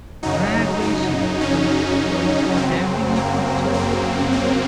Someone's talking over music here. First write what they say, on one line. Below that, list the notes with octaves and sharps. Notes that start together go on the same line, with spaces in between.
Drag racing is also heavily featured there.
F#2 C#3 F#3 D#4
D#4
C#4
F#2 C#3 F#3 C4
A#3
C4
C4